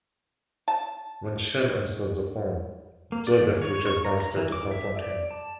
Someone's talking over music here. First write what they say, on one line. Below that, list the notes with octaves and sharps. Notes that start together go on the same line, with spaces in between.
When Sean answers the phone, Joseph rushes downstairs to confront him.
A5
A#3
D5
D#3
C#5
C#6
A#5
A#5
E3
D6
E5
D5
A5